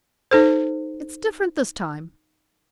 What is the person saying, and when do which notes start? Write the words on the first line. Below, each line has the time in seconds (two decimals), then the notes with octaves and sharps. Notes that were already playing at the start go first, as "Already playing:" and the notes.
It's different this time.
0.31 D#4 A4 C5